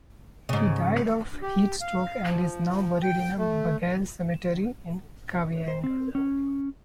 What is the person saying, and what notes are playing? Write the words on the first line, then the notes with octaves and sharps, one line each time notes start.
He died of heat-stroke and is now buried in Bagail Cemetery in Kavieng.
G#2 C#3
G4
F5
F3
G5
A3
C5
C4
C#4